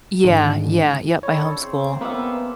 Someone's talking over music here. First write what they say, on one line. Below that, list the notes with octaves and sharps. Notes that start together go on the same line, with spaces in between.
Yeah, yeah yep, I homeschool.
G#2 D3 D#3
D4 E4 A4 C#5
C#3 C4
A#3 B3 B4 E5